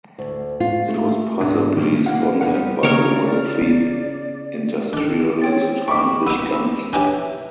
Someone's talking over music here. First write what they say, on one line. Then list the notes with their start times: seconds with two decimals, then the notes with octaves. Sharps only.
It was possibly sponsored by the wealthy industrialist Heinrich Gamst.
0.18 D2
0.60 F4
0.89 A3
1.41 G#2 C3 C4 D4 D#4
1.77 D#3 G3 A#3 D4
2.06 A#3 F4 F5 F#5
2.41 F2 A#3 B3 D4 A#4 F#5
2.54 G3 B3 C4 D#4 G4
2.83 C#3 A#4 C#5 D5
4.93 D#3 D4 A4
5.42 C4 C#5 G5 A6
5.88 D#5 G5 B5 C#6 D6
6.27 B3 D#4 E6 D#7
6.93 D4 D#4 G4 B4 C#5 E5 G#5